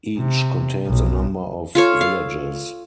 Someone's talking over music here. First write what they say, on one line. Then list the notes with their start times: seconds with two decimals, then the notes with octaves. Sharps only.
Each contains a number of villages.
0.18 C3
0.86 B1
1.75 F4 A4 C#5
2.01 F5